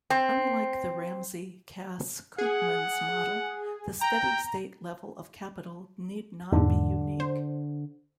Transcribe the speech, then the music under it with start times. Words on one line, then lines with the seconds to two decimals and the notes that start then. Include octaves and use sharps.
Unlike the Ramsey-Cass-Koopmans model the steady state level of capital need not be unique.
0.10 C4
2.38 G#4 F#5
4.01 G5 A#5
6.52 E2 G#2 D3
7.20 C5